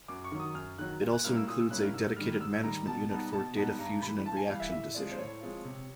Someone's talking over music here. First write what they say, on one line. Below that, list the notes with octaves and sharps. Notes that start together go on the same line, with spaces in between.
It also includes a dedicated management unit for data fusion and reaction decision.
F#2 D6
C#6
D#3 F#3
D#6
F#2 F6
D#3 F#3 F#6
A#2
F#6
G3 A#3 C#4 E4 F6
E6
A#2 D#6
E6
G3 A#3 C#4 E4 F#6
F6
G#2 E6
D#3 G3 F6
F6
G#2 E6
D#3 G3 A#5
B2 A5
G3 B3 D#4 A5
B2 A5
G3 B3 D#4 A5
G2 A#5
E3 G3 B5
G2 A5
G#5
E3 G3 F5
E5
A2 E5
F3 G#3 C4 F4 D5
C5
A2 C#5
F3 G#3 C4 F4
C3